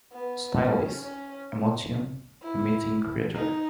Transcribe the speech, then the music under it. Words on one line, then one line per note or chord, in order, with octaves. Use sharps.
Stylist, emotion emitting creator.
B3
C#4
C#4
E4
D#4